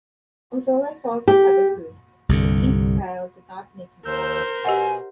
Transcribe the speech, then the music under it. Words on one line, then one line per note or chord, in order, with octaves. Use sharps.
Although results had improved, the team's style did not make him popular.
G4
C2 G2 D3
D#2 A#4 C5 E6 G6
B2 G4 D#5 F#5 G#5